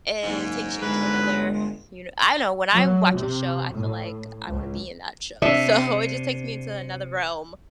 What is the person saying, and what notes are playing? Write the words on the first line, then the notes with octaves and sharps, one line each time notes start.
it takes you into another, you kn I don't know, when I watch a show, I feel like I wanna be in that show. So, it just takes me into another realm.
F#1 G#2
G1 G#3 B4
F#3
C3
A2
C#2
C3 D4 E5